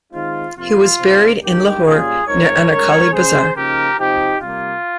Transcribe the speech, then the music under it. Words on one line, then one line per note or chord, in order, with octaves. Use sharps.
He was buried in Lahore near Anarkali Bazaar.
D#3 G#3 C4 D#4 F4
F2 C3 F3 A#3 F4
C3 F3 C4 D#4
G2 D#3 A#3 D#4 G4
A#2 G3 C#4 F4 G#4
G#2 F3 C4 D#4 A#4 C#5
G#2 D#3 G3 C#4 A#4 C#5
C#3 G#3 C#4 G#4 C5
C#3 F3 A#3 D#4 G4 A#4
C3 F3 C4 D#4 G4
C3 G3 A#3 F4